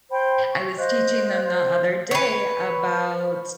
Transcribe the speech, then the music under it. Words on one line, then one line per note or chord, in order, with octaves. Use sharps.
I was teaching them the other day about
C5 G5 B5
C#6
C5 D#5 F5 F#6
C5 F5
B4 C#5